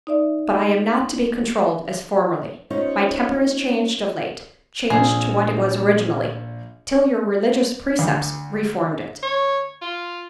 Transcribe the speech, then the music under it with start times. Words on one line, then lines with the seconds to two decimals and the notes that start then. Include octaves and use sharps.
But I am not to be controlled as formerly; my temper is changed of late; changed to what it was originally; till your religious precepts reformed it.
0.07 D#4 D5 E5
2.70 C#4 D#4 F4 C5 C#5
4.90 A#1 G#4
7.99 D2
9.23 C#5
9.82 F4